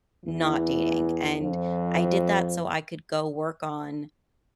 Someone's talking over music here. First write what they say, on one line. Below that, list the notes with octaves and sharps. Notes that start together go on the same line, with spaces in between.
not dating, and I did that so I could go work on
E2 E3
F2 F3